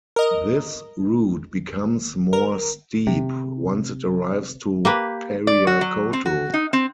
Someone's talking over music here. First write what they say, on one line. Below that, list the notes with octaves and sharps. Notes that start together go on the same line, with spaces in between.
This route becomes more steep once it arrives to Pariacoto.
A#4 D#5
A#4
C3
A#3 G4 B4
D5
F#4
F#3
C4
F#4
D#4
C4